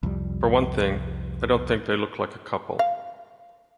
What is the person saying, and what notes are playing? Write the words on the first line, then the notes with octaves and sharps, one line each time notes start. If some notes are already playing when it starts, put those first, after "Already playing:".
For one thing, I don't think they look like a couple.
C2 F2 G3
F5